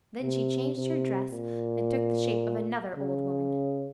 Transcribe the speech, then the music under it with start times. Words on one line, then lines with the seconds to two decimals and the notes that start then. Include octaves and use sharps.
Then she changed her dress and took the shape of another old woman.
0.22 C3
0.76 C3
1.31 A#2
2.96 C#3